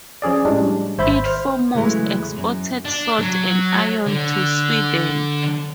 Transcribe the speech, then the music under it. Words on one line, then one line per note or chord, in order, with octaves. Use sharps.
It foremost exported salt and iron to Sweden.
F3 C#4 G#4 D5
A2 G3 G#3 C#4 D4
G#1 C5 E5 B5 G6 A6
C5 F6
C#3 E3 F#3 G#3 A3
E2
F#2
D4
F#3
D3